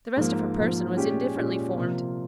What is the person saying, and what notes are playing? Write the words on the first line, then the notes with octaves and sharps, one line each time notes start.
The rest of her person was indifferently formed.
G#2 F3 A#3
G#2 F3 A#3
A#2 G#3 C#4 G4
A#2 G#3 C#4 G4
C3 F3 A#3 F4